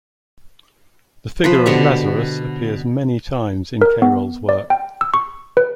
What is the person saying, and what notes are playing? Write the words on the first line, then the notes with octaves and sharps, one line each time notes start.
The figure of Lazarus appears many times in Cayrol's work.
F3 B4 C5
B2 D3 G4 C#6
A#4
B3
D5
G5
E6
C#6
B4